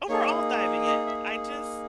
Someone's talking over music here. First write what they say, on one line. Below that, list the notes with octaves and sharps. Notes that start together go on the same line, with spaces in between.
overall diving in, I just
A#3 D#4 G#4 C#5
D#5
E5